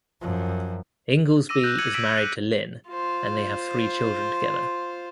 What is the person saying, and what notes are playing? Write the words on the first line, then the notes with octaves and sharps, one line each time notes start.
Inglesby is married to Lynn and they have three children together.
F#2 F3
D6 E6 A#6 D#7
E6 F#6 G6 A#6
E6 G#6 C#7 D#7 F#7
E6 G#6 B6 D7 E7 F#7
F#6 D#7
F4 C5